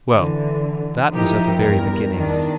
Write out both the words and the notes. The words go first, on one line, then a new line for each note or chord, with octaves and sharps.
Well, that was at the very beginning.
D3 E3
F3 D#4 E4 G4 A#4
E2 G2 A#4
E2 D#3 D4